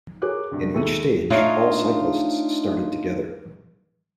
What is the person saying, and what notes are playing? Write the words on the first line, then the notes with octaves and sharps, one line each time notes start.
In each stage, all cyclists started together.
G#4 A#4 C#5 D6 F#6
D2 G2 C3
D#2 G#3 A4 E5 C#6 D#7
A3 D4 D#4 F4 C#5 F5